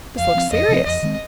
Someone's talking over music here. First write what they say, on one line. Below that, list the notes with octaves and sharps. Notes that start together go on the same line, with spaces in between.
This looked serious.
F2 F5
F3 C4
F2 D#5
C3 F3 C4
F2 D#5
D#3 G#3 C4